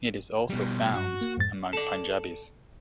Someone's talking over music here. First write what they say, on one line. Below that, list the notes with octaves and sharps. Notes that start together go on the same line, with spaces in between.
It is also found among Punjabis.
B2 G3
G2 F#4
A#3
F2 G#2 A6
A4 D5